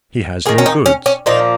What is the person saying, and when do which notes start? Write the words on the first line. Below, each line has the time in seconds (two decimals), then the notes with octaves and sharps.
He has no goods.
0.46 D#3 A#3 G#4
0.58 C#4
0.66 D#4
0.86 C#4
1.06 C#4
1.26 A#2 F3 A#3 D#4